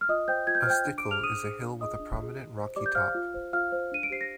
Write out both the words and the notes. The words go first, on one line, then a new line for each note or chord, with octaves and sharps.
A "stickle" is a hill with a prominent rocky top.
F6
F4 D#5 D#6
C5 G5 G6
F4 G#6
G6
F6
C5 G5 G6
D4
D6 D7
G#4 C5
F6 F7
D4 D#6 D#7
G#4 C5
D4
F4 G#4 D#5 D#6
D4
F4 G#4
G4
C5
G4 D5 D6
G6
C5 F5 F6
F4
C5
F4 F5 F6
C5
D4 D#7
D7
G4 C5 C7
A#6